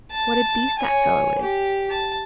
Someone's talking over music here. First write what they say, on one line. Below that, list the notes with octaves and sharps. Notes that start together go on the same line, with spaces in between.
'What a beast that fellow is.
A5
C#5 G#5
G4
A5